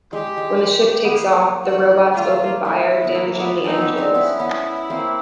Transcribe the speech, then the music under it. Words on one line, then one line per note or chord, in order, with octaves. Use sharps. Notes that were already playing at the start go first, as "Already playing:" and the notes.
When the ship takes off, the robots' open fire, damaging the engines.
G#3 G4
G#3
B3
A#3
F#4
A3 F4
A3
A#3
A3 E4
B3
A#3
A3 B3
A#3 C4 D#4
B3 C#4
C4 D4
B3 C#4 E4
B3 C#4
A#3 C4